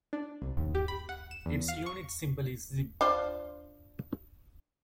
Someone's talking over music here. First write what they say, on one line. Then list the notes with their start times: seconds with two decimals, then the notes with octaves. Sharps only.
Its unit symbol is ZiB.
0.13 D4
0.42 C2
0.57 D#2
0.75 G4
0.88 B5
1.09 F#5
1.31 E7
1.46 E2
1.68 F5
1.86 C#6
3.01 D4 F4 C5